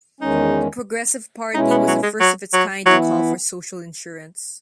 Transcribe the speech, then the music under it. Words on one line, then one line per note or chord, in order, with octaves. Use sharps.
The Progressive Party was the first of its kind to call for social insurance.
E2 D#3 G#3 C#4 D#4
B2 G#3 C#4 D#4 E4
B3
F#3
G#3
F#3
F#3
E3 F#3 B3 E4